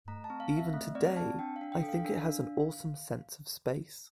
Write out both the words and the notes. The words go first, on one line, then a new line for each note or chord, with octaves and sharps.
Even today, I think it has an awesome sense of space.
A3 A#5
A5
C4
F5
C4
E5
A3
C4 D5
C4 A5
D4 G5
F5
D4
G5
A4
F5
D4
D4